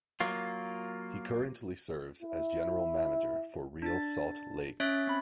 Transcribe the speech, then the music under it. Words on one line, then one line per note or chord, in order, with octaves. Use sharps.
He currently serves as General Manager for Real Salt Lake.
F#3 A#3 F4
E4
D4 A6
C#4 C#5 E5 F#6 A6 B6
C4 B5